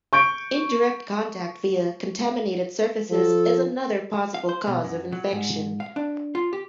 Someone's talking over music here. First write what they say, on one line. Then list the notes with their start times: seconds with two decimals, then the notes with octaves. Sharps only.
Indirect contact via contaminated surfaces is another possible cause of infection.
0.13 C#6 G6 D7
3.10 F3 A4
4.34 F5
4.49 C5
4.67 B2
4.84 F#2
5.12 F#3
5.33 G#2
5.80 F5
5.96 D4
6.35 F4
6.53 G4